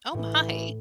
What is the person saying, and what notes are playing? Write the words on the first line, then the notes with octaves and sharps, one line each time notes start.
Oh my!
A2 E3